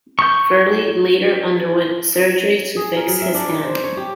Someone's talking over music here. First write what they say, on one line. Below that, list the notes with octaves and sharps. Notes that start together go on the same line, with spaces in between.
Firley later underwent surgery to fix his hand.
C#6 G6
G#4
A#4
F#3
E5
D4
C5
C#5
G4